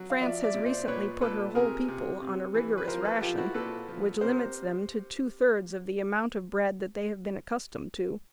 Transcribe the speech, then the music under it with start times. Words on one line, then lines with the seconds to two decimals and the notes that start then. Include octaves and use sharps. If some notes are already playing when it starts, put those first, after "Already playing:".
France has recently put her whole people on a rigorous ration which limits them to two-thirds of the amount of bread that they have been accustomed to.
Already playing: F#3
0.10 F5
0.21 F3 D5 E5
0.43 D5 E5
0.54 A#2
0.66 C5 D5
0.88 A#2 B4 C#5
1.21 A#2 A4 B4
1.55 C3 G#4 A#4
1.88 C3
2.22 C3
2.54 E3
2.78 B4
2.88 F3 A#4 C5
3.05 A4 B4
3.21 F3 F4 G4
3.38 E4 F#4
3.54 A#2 A4 B4
3.88 F3
4.21 C3 A#4 C5